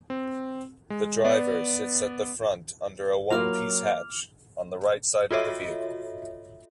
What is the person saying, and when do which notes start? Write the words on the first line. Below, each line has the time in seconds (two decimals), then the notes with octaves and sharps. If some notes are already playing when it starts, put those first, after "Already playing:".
The driver sits at the front under a one-piece hatch on the right side of the vehicle.
0.10 C4
0.90 G#3
1.24 B3 D5
3.31 F#3 A#3 E4 F4 A#5 D6 F6 F7
5.31 F4 F#4 A4 C#5 D#5 E5